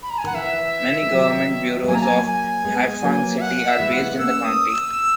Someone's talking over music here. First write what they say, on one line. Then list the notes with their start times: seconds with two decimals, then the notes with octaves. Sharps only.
Many government bureaus of Haifang City are based in that county.
0.03 B5
0.10 A#5
0.18 G#5
0.24 D#3 F#5
0.34 E3 E5
1.02 G#3
1.11 D#3 F#3
1.83 G#3
1.88 F#3 A#3 G#5
1.95 A#5
2.03 G#5
2.26 G#5
2.65 G#3 B3
3.03 F#3 A#3
3.37 E5
3.41 F#5
3.68 E5
3.80 E3 G#3
3.93 F#5
3.99 G#3 B3
4.18 A#3 C#4 E6
4.45 D#6
4.69 E6